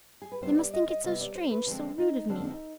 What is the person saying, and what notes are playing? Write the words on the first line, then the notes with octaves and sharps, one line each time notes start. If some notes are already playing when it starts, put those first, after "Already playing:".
They must think it so strange, so rude of me!
G#4
B4
C3 G3 B3 C5
D5
D#5
D#5
C3 G3 B3 D#5
D5
C5
B4
D3 F3 G#3 C4 D4
D#4
D3 F3 G#3 C4 D4
D#4